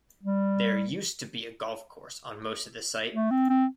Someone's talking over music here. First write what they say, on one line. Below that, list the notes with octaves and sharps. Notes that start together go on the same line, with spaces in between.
There used to be a golf course on most of this site.
G3
A3
C4
C4